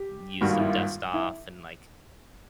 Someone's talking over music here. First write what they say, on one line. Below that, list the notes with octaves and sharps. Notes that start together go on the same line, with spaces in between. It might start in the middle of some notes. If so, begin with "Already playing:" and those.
used some Dust-Off and, like,
Already playing: G4
G#1 G2 D#3 G3 A#3 F#4
F4
E4
F4
E4